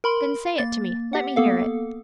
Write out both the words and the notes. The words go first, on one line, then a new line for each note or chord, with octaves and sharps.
"Then say it to me--let me hear it."
A#4 B5 C6
A#3 A6
G4 F#5
A#3 B3 A4 F5